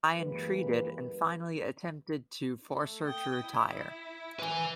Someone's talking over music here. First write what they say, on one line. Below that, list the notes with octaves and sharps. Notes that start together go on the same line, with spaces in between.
I entreated, and finally attempted to force her to retire.
F#2 E3 G#3 A#3 G4 B4
A3
G5 D#6
E4
B4 G#5